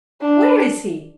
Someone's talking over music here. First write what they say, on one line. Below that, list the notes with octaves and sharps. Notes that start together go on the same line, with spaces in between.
Where is he?
D4